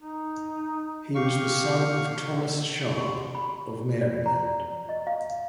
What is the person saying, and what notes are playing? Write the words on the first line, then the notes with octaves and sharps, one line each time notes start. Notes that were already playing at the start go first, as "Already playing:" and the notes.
He was the son of Thomas Sharpe, of Maryland.
D#4
G4 F5 C#6
G4
B5
D5
A#5
D#5
F5